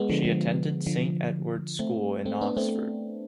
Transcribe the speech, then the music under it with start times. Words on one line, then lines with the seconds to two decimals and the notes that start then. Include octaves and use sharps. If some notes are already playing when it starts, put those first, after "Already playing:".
She attended Saint Edward's School in Oxford.
Already playing: G#3 B3
0.09 D3 F3
0.25 D3 F3
0.87 D3 F3
1.79 A3 C4
2.26 A3 C4
2.41 B3 D4
2.57 A3 C4